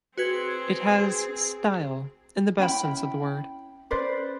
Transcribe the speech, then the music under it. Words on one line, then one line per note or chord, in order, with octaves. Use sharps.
It has style in the best sense of the word.
C4 F#4 G#4 B4 G#6
C#4 E4 G5 B5
C#4 B4 C5 D5